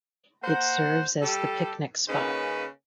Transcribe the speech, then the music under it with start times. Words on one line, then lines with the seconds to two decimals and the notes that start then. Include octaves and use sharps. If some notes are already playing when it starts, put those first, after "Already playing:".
It serves as the picnic spot.
0.43 A#3 C5 F#5
1.22 G3 G4 A4
2.09 C#3 A#3 C#4 D#4 B4